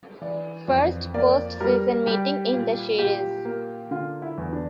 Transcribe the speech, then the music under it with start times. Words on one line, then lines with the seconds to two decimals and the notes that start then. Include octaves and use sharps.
First postseason meeting in the series.
0.22 E3 D5
0.68 F2
1.14 A#3 D5
1.60 G3 A#4
2.07 G3 G4
2.53 A#2
2.98 A#2 G4
3.45 A#3
3.91 D3 F4
4.22 E4
4.38 E2
4.53 D4